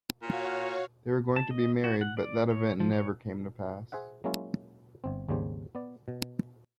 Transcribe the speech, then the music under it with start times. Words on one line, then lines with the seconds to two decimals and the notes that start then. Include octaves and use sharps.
They were going to be married, but that event never came to pass.
0.22 A#2 F#4 C#5 F5
1.36 A5
1.51 D#5
1.84 F#4
2.01 F#5
2.17 D5
2.51 C#5
2.80 F3
2.93 C#5
3.92 G#4 C5 E5 F#5
4.24 F#3 G#3 A#3 C#4 E4 F4
5.04 G1 C4
5.29 G#1 D#2 C#3 G3 C5
5.75 B3 D5
6.08 B2